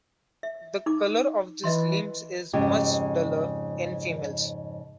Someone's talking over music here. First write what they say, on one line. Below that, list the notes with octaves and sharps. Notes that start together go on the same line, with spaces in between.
The colour of these limbs is much duller in females.
E5
D#4 D6
E3 D#5 E5 C6
F2 G#2 C#3 G4